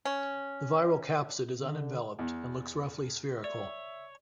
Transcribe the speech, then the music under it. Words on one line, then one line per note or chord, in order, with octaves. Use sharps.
The viral capsid is unenveloped and looks roughly spherical.
C#4
D3
E2
C#5 D5 E5